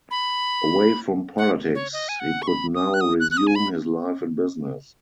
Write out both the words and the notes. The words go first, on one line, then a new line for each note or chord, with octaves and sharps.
Away from politics, he could now resume his life in business.
B5
F#5
C#5
D#5
G#5
F#5
C#6
B5
D#6
F#6
D#6
F#6
F#6
D#6
G#5
B5